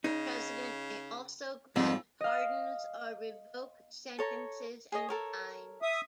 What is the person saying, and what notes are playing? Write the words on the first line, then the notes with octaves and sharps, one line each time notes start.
The president may also grant pardons or revoke sentences and fines.
C#3 D#4
F2 G#2 F3 G3
D#5 F5
A4 C#5 A#5
G#4 C#5 D#5
A4 A#4 C#5
E5 D#6